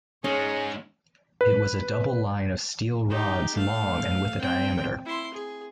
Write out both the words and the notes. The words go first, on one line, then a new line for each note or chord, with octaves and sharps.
It was a double line of steel rods long and with a diameter.
G#3 C#4 D#4 G#4 C#5
B4
D#4 G4
A3 F5
C4 G5
E4 C6
G#4